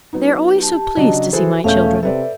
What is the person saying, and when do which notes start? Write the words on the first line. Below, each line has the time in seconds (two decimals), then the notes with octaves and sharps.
They are always so pleased to see my children.
0.13 F#3 B3 D#4
0.59 G4 A5
0.97 C#3 F#3 D4 D#5
1.33 E3 F#4 G#4 A4 C5
1.64 E1 A3 C#4 F5 G6
2.03 C3 A4 B4 D5 E5